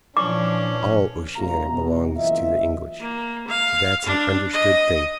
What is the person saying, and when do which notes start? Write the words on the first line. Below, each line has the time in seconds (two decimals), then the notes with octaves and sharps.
All Oceanica belongs to the English. That's an understood thing.
0.17 A#2 E3 F3 C#4 D4 D6
1.36 C#2 B2 G3 A3 F4 A#5
1.71 B2
2.17 F#1 E3 F4 D#5 E5
3.00 A#3
3.48 F5
4.06 D4
4.53 D#5